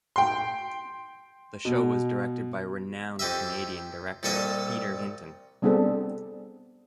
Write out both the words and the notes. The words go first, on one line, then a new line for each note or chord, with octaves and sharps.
The show was directed by renowned Canadian director Peter Hinton.
G5 C6
B2
F2 G4 D#5 E5
C2 A#2 A4 D#5 E5 D#6
G3 B3 C4 D4 G#4 A4